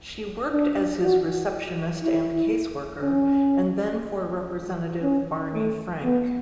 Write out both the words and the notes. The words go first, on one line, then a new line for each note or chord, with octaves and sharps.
She worked as his receptionist and caseworker, and then for Representative Barney Frank.
D4
F#4
E4
C#4
C#4
A3
B3